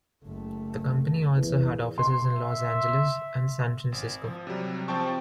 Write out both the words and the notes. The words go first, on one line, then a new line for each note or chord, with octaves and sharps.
The company also had offices in Los Angeles and San Francisco.
F#1 A3
A#1 E2
C6
E5
G#1
F3
C3 F#3 G3
F3 C4 G5 A5 C#6